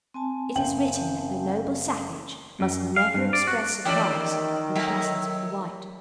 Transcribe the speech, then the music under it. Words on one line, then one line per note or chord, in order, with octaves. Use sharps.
It is written that the noble savage must never express surprise in the presence of the white.
C4 G#5 A5
F#1 G5 F#7
F#2
F5
G2
D5
F#4
D#3 E3 C#4 G4 D5 E5
F#3 A3 E5 A#5